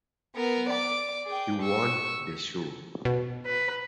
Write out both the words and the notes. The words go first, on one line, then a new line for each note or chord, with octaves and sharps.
He won the show.
B3 A#4
D5 D6
G#4 G5
C#6 E6
B2
B4